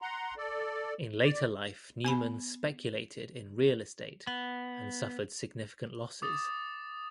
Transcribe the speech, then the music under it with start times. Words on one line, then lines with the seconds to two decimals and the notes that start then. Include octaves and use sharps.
In later life Newman speculated in real estate and suffered significant losses.
0.02 F#5 A#5 C6
0.38 A4 D5
1.24 D5
2.05 B3 G#5 B5
4.27 B3
6.22 D6 D#6 A6